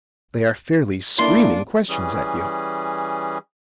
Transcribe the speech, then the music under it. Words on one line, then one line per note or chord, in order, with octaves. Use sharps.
"They are fairly screaming questions at you."
A#3 D4 E4 C6
E3 G3 C#4 G#4